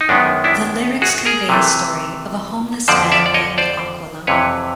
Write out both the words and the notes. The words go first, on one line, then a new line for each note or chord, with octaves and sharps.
The lyrics convey a story of a homeless man named Aqualung.
D#4
F#2 D#3 G#3 B3 D4
D4 E4
F#4 G#4
G#4 A#4
C3 E3 A3
F2 D3 F3 C5 D5
D5 E5
D5
C#5 D#5
C5 D5
F2 C3 E3 B4 C#5